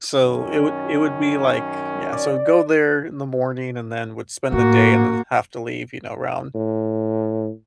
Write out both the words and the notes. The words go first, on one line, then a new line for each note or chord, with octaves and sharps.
So, it would it would be like yeah. So go there in the morning and then would spend the day and then have to leave, you know, around
F#2 D#3 C#4
D5
A2 A#3 F#4
A2